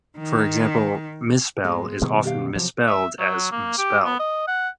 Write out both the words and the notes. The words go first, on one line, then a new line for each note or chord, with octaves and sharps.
For example, "misspell" is often misspelled as "mispell".
D#3
G#2 G#3 B3
B2 D#3 G3
G4 F5
C3 F3 F#3
E5
F#3
A#3
G4
B3
D#5
F#5